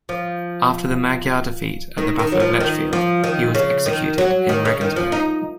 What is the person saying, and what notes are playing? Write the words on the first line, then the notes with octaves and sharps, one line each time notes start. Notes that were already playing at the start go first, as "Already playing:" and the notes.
After the Magyar defeat at the Battle of Lechfeld, he was executed in Regensburg.
F3
D#3
D#3
F#3
F3
D#3
F3
D#3
C#3
D#3
F#3
D#3
C#3
D#3
F3
D#4